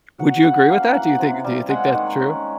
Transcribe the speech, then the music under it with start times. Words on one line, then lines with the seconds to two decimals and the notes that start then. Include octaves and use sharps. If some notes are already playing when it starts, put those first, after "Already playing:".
Would you agree with that? Do you think do you think that's true?
0.19 F#3 F#5
0.44 C#3 F#5
0.69 A#3 F5
0.94 E3 F#5
1.19 C3
1.44 G3
1.69 G#3 F#5
1.94 D#3
2.20 C#4